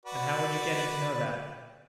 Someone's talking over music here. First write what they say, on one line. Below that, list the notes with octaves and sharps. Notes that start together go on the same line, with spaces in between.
"And how would you get him to know that?"
F#4 B4 D5